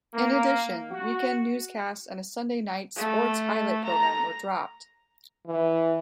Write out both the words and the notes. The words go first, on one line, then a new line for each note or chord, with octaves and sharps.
In addition, weekend newscasts and a Sunday night sports highlight program were dropped.
A#3
F#4
A3
A#5
E3